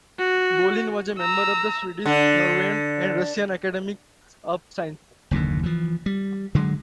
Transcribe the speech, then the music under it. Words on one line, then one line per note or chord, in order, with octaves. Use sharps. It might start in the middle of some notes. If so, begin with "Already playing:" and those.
Bolin was a member of the Swedish, Norwegian and Russian Academies of Sciences.
F#4
A#5 E6
D3
F#1 D#2 A#2 D3
E3 F3
G3
D3 F#3 G#3